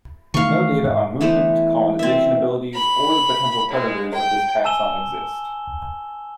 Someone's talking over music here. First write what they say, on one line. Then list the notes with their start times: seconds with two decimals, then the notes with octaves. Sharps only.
No data on movement, colonization abilities, or the potential predators of this taxon exist.
0.34 D#3 E3 A3 F5 C#6
0.84 G#2
1.21 E3 A3 B3 C5
1.99 C4 E5
2.74 B5
3.70 G#3
4.14 G5
4.64 G#5 A5 E6 E7 G7